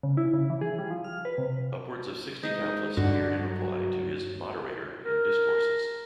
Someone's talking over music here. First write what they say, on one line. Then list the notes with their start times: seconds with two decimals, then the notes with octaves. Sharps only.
Upwards of sixty pamphlets appeared in reply to his "Moderator" and "Discourses".
0.03 C#3
0.17 E4
0.33 C#3
0.50 E3
0.61 G#4
0.78 G3
0.90 F3
1.04 F6
1.25 B4
1.38 C3
2.43 G#2 D#4 D#5
2.97 G2 D3 F#4
3.45 F#3
5.05 A#4